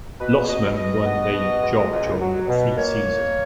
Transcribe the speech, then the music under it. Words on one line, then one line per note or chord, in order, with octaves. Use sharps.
Losman won the job during the preseason.
B2 B4
B2 D#5
B2 D#5
B3
B2
G#3
C#2
F#3
B2
A#3 C#5
A#3